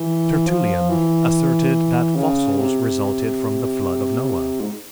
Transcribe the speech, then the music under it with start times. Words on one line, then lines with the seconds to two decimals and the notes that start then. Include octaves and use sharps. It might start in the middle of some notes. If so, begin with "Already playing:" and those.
Tertullian asserted that fossils resulted from the flood of Noah.
Already playing: E3
0.47 F3
0.90 E3
2.16 C#3
2.58 C3
4.60 G#2